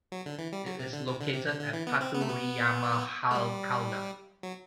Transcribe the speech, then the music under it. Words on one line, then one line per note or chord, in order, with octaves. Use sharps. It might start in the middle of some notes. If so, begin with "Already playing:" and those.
It is located at Pathuriyamahal, Kalna.
F#3
D3
E3
G3
F#3
C3
D3
C3
D3
C3
D3
D3
E3
B3
C4
B3
A3
B3
A3
G3
F#3